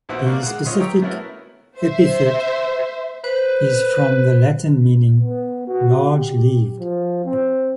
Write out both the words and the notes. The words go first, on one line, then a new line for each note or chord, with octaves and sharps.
The specific epithet is from the Latin meaning "large leaved".
A#1 B2 D#4 C5 E5 F#5
A#3 D5 F5 C#6
G#3 F#5
C#4 F4 C#5 D#5 E5 C6
G4 G5 A#5 C#6 D#6 E6
A3 B3 C#4 E4 F#4 A#4
C5 E5
B4 C5
B3
F#4
G4
F3
C4